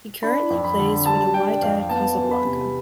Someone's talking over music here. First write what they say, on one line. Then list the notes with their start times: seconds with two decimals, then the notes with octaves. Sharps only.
He currently plays for Wydad Casablanca.
0.23 D4 B5
0.50 F2
0.64 B5
0.79 D3
1.06 G3 A5
1.34 D4 G5
1.61 F2 F5
1.89 B3 A5
2.17 E2
2.31 B5
2.44 C3